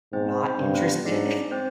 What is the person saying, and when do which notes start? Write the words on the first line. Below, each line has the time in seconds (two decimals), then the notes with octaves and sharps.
not interested.
0.13 G#2 C4 C5
0.43 C4 C5
0.59 G2
0.74 B3 B4
1.05 G#2 D4 D5
1.51 C4 C5